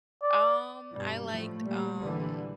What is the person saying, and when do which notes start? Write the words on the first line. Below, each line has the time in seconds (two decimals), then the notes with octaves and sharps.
Um, I liked, um
0.22 D5
0.93 G2 B2 G3
1.29 A2 F3 A3
1.65 A#2 G3
2.00 A#1 D3 E3 G3